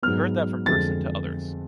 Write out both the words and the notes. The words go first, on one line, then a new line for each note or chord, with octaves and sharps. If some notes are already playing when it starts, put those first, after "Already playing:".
We heard that from person to others.
G#2 F#3 B3 F6
F2 D3 G#3 A6